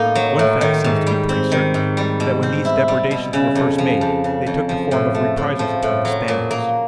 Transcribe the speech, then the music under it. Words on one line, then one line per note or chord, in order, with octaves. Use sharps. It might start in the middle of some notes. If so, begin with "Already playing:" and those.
One fact seems to be pretty certain, that when these depredations were first made, they took the form of reprisals upon the Spaniards.
Already playing: A2 A#3 D#4
F#3
A2
D#3
G#2
G3
C4
D#3
G#2
G3
B2
C4
E4
G3
B2
C#3
F2
F3
F2
C#3
F2
F3
A2
A3
A2
F3
A2
F#3
A#2
A#3